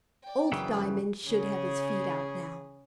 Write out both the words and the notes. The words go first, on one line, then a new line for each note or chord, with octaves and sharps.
Old Diamond should have his feed out now.
D5 G5
F#2 C#3 E3
C#3 G#4